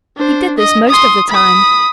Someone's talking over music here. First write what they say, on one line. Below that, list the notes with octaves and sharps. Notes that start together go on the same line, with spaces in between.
He did this most of the time.
D4 C5
D#5
C6 D#6
B5 D#6